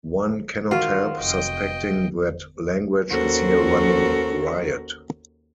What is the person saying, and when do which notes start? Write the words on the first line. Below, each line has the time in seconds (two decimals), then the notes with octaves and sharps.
One cannot help suspecting that language is here running riot.
0.71 D#3 F4 F#4
1.19 F1 D#5 G5
3.09 D#2 C#4 F#4 A4 A#4 C5